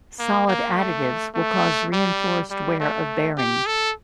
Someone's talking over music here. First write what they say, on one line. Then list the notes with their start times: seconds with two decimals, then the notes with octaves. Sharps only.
Solid additives will cause reinforced wear of bearings.
0.19 A#3
0.47 A#3
0.76 A3
1.35 A3
1.93 G3
2.51 G3
2.80 A3
3.38 G4
3.66 A4